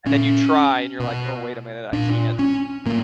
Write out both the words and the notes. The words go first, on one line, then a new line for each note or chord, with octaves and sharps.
and then you try, and you're like, "Oh, wait a minute. I can't."
A#2 C#4
B2
A#2 D4
C#4
A2 A#3